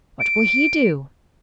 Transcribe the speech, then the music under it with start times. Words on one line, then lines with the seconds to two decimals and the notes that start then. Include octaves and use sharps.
"What will he do?"
0.20 D7